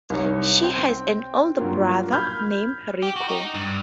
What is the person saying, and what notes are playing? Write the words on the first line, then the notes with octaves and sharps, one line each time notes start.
She has an older brother named Riku.
C2 D#4 C#5
C4 G5
G2 F#3 A#3 F4
B5 F6 G6 G#6
G4
F#4
D#4
G2